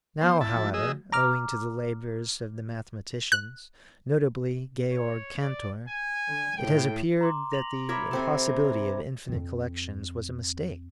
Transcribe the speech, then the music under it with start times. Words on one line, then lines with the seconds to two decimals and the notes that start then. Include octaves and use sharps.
Now, however, owing to the labours of the mathematicians, notably Georg Cantor, it has appeared that the impossibility of infinite collections was a mistake.
0.21 E3 B3 C5
0.41 C#2 A2 E4 A5
0.56 F3 A3 F#4
0.74 G#4 D#5 E6
1.12 A#5 D6 F6
3.32 F#6
4.92 C#5
5.42 D5
5.89 G#5
6.28 D3
6.57 A2 G5
7.21 A#5 C6 D6
7.52 A#6 F7 F#7
7.89 A#4 C#5 E5 B5 D6 G#6
8.11 C3 C4 A4
9.28 F2 C4